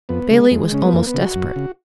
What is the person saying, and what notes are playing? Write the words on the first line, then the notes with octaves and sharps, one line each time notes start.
Bailey was almost desperate.
F2 B3
C#3 G#3
F2 G#3
C#3 C#4
B3
F2 A#3
B3
C#3
F#4
F#2
C#3